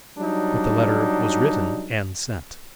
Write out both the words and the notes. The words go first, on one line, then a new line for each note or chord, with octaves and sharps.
But the letter was written and sent.
F#3 G3 D4 D#4